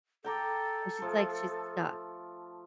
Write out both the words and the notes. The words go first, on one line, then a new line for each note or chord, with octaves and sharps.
It's just like she's stuck.
A4 G5 A#5 D6
F3 A3